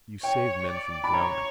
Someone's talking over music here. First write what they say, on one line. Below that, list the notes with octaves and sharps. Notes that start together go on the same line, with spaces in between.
You saved men from drowning.
C#5 G5
D5
B5
C#5 A#5